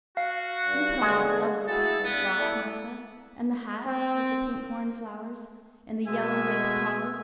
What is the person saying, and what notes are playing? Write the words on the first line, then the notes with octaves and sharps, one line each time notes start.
Do put on that lovely purple frock, Martha, and the hat with the pink cornflowers, and the yellow-lace collar.
F#4 F5
G2
D3 G#3 B3
E4 F#4 G#4 A4
G2 B3
E4 A4 D5
C4
B2 G#3 A3 E5 G#5